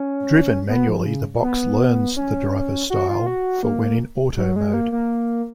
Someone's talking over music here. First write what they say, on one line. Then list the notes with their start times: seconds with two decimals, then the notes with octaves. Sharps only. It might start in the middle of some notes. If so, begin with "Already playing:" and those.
Driven manually, the box 'learns' the driver's style for when in auto mode.
Already playing: C#4
0.69 B3
0.89 F3
1.06 C#3
1.43 B3
2.17 C#4
2.90 F#4
3.09 F4
3.27 F#4
3.63 A#3
4.37 F#3
4.56 G#3
4.74 A#3
4.92 A#3